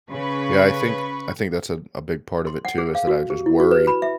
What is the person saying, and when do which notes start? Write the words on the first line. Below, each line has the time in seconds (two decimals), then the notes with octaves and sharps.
Yeah. I think I think that's a a big part of it too, is that I just worry,
0.10 C#3 B4 B5 C#6
2.47 C6
2.65 F#5
2.78 G#4
2.95 F5
3.07 F#4
3.30 G4
3.46 E4
3.60 F#4
3.71 B4
3.87 B5
4.02 E5